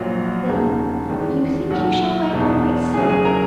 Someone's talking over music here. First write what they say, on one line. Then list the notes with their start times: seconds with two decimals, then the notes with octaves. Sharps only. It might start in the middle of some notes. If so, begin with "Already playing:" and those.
'Then you think you shall wear your white silk.
Already playing: A#1 A#2 F#3 F#4 F#5
0.49 E1 D#2 C#3 G#3
1.10 E2 D#3 G#3
1.70 B1 A#2 F#3 F#4 F#5
2.32 E1 E2 B2
2.94 E2 C#3 F#3 G#4 G#5
3.09 G#4 G#5
3.25 A#4 A#5